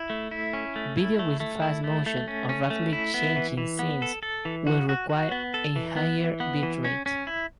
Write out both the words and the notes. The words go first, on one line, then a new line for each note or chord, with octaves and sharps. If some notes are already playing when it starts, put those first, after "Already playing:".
Video with fast motion or rapidly changing scenes will require a higher bit rate.
Already playing: E4
A3
E4
C#4
A3
E4
A3
A3
E4
A3
A3
C#4
C#4
A3
E4
B3
E3
E3
B3
A4
A4
E3
F#4
F#4
F#4
B3
A4
E3
B3
E3
B3
E3
C#4
C#4
E4